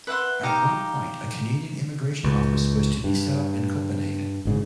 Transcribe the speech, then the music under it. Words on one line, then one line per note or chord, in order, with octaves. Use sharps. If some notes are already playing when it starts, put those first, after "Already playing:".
At one point, a Canadian immigration office was to be set up in Copenhagen.
B4 E5 F#5 C6
D#4 G4 F5 A#5
C#2
G2
G#1 G#2 C#3